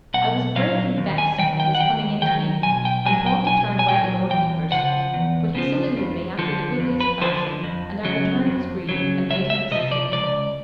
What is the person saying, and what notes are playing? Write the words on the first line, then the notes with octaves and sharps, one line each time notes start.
I was greatly vexed at his coming in to me and thought to turn away the doorkeepers; but he saluted me after the goodliest fashion and I returned his greeting and bade him be seated.
B1 F#5
A#2 F#3 F5
D#2
G#5
F#3 G5
D#3
G5
F#5
D#2 G5
D#3 F#3 G5
B1 G#5
G5
A#2 F#3 G#5
G5
B1 G#5
G#5
A#2 F#3 G5
E2 G5
C#3 F3 F#5
E2
C#3 F3
F2
D3 F3
F2
B4
D3 F3 C5
F2
C#3 F#3
F2
C#3 F#3
C#2 E5
E5
C3 F3 D#5
D5
C#2 D5